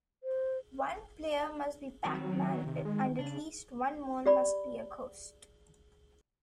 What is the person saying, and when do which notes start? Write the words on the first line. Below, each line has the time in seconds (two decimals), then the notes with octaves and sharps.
One player must be Pac-Man, and at least one more must be a Ghost.
0.23 C5
2.05 D#3 F#3 G3 C4
2.32 D#3
2.66 C3
2.85 G#3
3.19 C#3 D4
4.26 G4 D5 B5